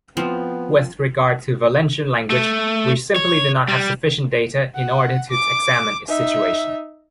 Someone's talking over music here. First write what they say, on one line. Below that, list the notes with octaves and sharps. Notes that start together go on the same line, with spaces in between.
With regard to Valencian language, we simply do not have sufficient data in order to examine its situation.
F3 B3 C4
A3
C#5
G3
F#5
D6
D#4 E5